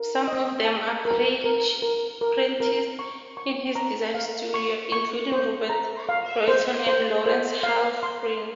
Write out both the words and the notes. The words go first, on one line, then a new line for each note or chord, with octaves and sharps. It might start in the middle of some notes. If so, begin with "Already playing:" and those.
Some of them apprenticed in his design studio, including Robert Royston and Lawrence Halprin.
Already playing: A#4
D#5
A5
A#4
A#4
A#4
A#4
A#4
C#6
C#6
A#5
F5
C#6
C#6
C5
A#5
F5
C5
C5
C5
F5
C6